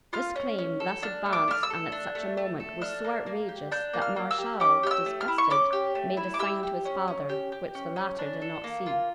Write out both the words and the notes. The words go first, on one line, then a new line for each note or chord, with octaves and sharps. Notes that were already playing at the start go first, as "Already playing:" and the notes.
This claim, thus advanced and at such a moment, was so outrageous, that Martial, disgusted, made a sign to his father, which the latter did not see.
F4 F6
C#4
C#4
A4
D4 F6
A3
D6
A3 F6
E6
A4
D4
A3
A3
A4
D4 F6
A#3
A#3
G4
D4 G6
A#3
F6
A#3
E6
G4
C#4 D6
G4 F6
E6
A3
F6
E4
C#6
C#4 D6
G4
A3
E4
D6
G4 E6
G4
C#4
C#4
G4
G4
C#4
C#4
D4
A4
A#3
F4